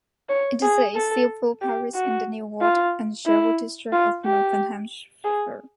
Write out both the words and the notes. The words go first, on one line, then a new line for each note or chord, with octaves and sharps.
It is a Civil Parish in the Newark and Sherwood district of Nottinghamshire.
C#5
G#4
A4
G4
F#4
F4
E4
F4
G4
G#4